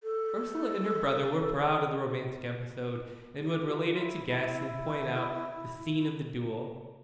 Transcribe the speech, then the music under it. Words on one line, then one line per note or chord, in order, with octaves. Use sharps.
Ursula and her brother were proud of the romantic episode, and would relate it to guests and point out the scene of the duel.
A4
G4
F#4
F4
E4
E4